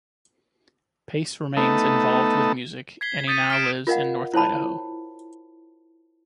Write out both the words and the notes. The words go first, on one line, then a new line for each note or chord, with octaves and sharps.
Pace remains involved with music, and he now lives in North Idaho.
A3 B3 D#4 A4
G#6 B6 C7 G7
D#6 G6 A6 B6 C#7 D#7
F6 B6 C7 D7 E7
F4 A#4 D#5 F5 F#5
E4 C5 C#5 A5 B5